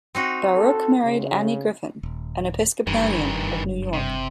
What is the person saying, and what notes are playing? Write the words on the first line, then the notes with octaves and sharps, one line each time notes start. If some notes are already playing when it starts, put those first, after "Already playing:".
Baruch married Annie Griffin, an Episcopalian, of New York.
C4 D#4 F#4
A4
C#3
D#1
F#1 G2 D#3 E3
C3